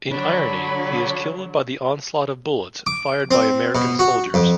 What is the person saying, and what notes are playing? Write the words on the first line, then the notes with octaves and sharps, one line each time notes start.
In irony, he is killed by the onslaught of bullets fired by American soldiers.
D3 F#3 D4 C#5 B5
D6
C4
B2
F#4
F2